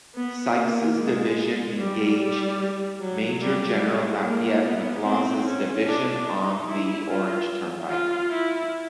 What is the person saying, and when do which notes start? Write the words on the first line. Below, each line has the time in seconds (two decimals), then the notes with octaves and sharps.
Sykes' division engaged Major General Lafayette McLaws' division on the Orange Turnpike.
0.15 B3
0.56 A#3
0.97 G#3
1.78 G3
2.18 G3
3.01 F#3
3.41 G3
3.82 G#3
4.23 A#3
4.63 B3
5.04 C4
5.44 C#4
5.85 D4
6.26 D#4
6.67 E4
7.08 F4
7.89 F4
8.30 E4